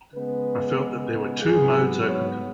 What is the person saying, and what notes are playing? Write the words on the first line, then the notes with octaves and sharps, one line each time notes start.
I felt that there were two modes open to me.
C#3 G#3 B3 B4
G#2 F#3 B3 G#4
C#5